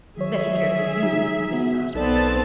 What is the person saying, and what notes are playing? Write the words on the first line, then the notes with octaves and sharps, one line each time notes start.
"That he cared for you, Mrs. Osmond."
D#3 F#3 G#4 C#5 E5
D#4
B3 F#4
B1 B3 C4 D#4 A4 D5 A5